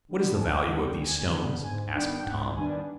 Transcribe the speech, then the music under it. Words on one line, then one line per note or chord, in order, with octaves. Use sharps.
"What is the value of these stones?" asked Tom.
D3 G3 B3
A5
D2 G#5
G5
D3 G3 B3 F#5
G5
D2 G#5
D3 G3 B3
G#2 G#5
D#3 G3 B3 D4 G5
G5
G#2 F#5
D#3 G3 B3 D4 G#5